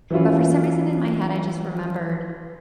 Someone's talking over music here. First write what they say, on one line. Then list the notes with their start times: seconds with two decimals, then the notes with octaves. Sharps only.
but for some reason in my head, I just remembered,
0.10 E3 F#3 C#4 E4 F4